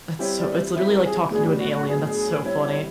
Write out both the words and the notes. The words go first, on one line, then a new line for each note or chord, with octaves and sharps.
That's so it's literally like talking to an alien. That's so funny.
G3 C4 E4 G4 C#5
D5
G3 C4 E4 G4 E5
A#4
G#4
A2 F#3 B3 D4 G#4
G4
F#4
F#4
A2 F#3 B3 D4 G#4
G3 C4 E4 C#5
C#5